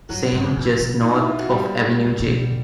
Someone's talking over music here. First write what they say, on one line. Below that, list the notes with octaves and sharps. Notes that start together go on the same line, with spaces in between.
Saint just north of Avenue J.
G2 F#3 F#4
G#2
A2
B2
D#4
E4
F4
F#4
G3 G4
B2